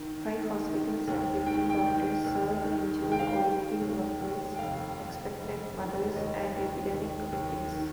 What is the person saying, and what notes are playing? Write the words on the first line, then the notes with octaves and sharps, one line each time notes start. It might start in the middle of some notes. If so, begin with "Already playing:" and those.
Five hospitals and fifteen doctors served injured oilfield workers, expectant mothers, and epidemic victims.
Already playing: D#3
D#3
D#3
D#2
D#3 G5
G5
D#3
D#2
D#3
D#3
G5
F5
G5
D#3
D#2
D#2
G5
F1 F5
F1
F1
D#2
D#2 D#5
D#2
D#2
D#2
D#3